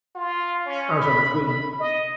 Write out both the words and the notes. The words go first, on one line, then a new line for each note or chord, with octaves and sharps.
I lose all my freedom,
F4
C#4
B5
B5
D#5